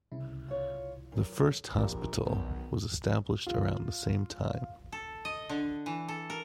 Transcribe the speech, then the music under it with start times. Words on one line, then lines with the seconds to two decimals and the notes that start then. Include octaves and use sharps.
The first hospital was established around the same time.
0.12 C2 C#3 E4
0.48 F4 C#5
1.12 F#2
1.78 A#1 F4 G4 A#4 D5
2.25 B1 D#3 B3
3.47 F4
4.92 A4
5.25 D#5
5.49 D3
5.86 E3
6.08 A4
6.30 A#4